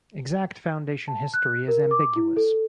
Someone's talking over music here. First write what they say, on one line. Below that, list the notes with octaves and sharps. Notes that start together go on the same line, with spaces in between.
Exact foundation history is ambiguous.
A5
F#6
A#4
D6
E4
A4